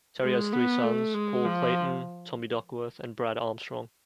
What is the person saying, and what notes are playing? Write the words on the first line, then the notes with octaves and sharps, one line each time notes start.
Terry has three sons: Paul Clayton, Tommy Duckworth, and Brad Armstrong.
G#3
B3
A3
G#3
F3